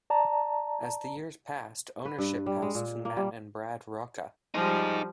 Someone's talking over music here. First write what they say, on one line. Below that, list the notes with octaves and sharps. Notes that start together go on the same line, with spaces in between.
As the years passed, ownership passed to Matt and Brad Rocca.
D5 A5 A#5
B4
G2
G3
G#3
A#2
A#3
G3
F3 G3 D#4 G#4